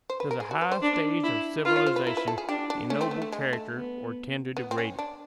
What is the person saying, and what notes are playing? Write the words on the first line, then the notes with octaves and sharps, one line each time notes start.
Does a high stage of civilization ennoble character or tend to degrade it?
C5
B4
A#4
G#4
F#4
B4
C5
D4
E4
F4 B4
C#5
C5
B4
E4 A#4
B4
A4
G#4
D4 G4
D4
A3 C#4
C4
B3
A3
G#3
A3
B3
B3
C4
C#4
D4